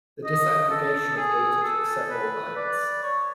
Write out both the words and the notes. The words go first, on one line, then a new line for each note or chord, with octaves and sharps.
The disaggregation of data took several nights.
D#5
A4
G#4
A4
B4
D5
C#5